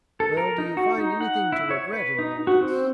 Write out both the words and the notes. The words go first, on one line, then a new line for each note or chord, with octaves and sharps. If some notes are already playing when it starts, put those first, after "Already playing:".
"Well, do you find anything to regret in all this?"
A4
A#4
D#4
F#4
D#4
F#5
E4
C#5
B4
D#4
F#4
C4